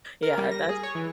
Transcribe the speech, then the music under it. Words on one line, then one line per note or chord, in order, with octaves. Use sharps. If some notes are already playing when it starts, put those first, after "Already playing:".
yeah, that's
A#4
G3
A#6
G#4
C#5
E3